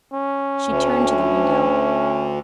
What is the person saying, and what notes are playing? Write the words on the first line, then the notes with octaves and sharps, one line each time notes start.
She turned to the window.
C#4
D2